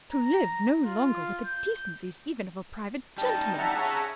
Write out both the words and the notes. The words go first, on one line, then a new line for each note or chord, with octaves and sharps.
To live no longer with the decencies even of a private gentleman!
A#5
F4
G6
G3 D#4 A5
E5 F#5 A#5
G#4 C#5